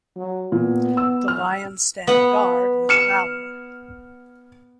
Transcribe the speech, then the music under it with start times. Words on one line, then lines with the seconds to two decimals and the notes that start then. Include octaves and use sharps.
The lions stand guard with valor!
0.16 F#3
0.52 A#2 B3
0.97 E6
1.28 F6
2.07 B3 F#5
2.89 F6 C#7 E7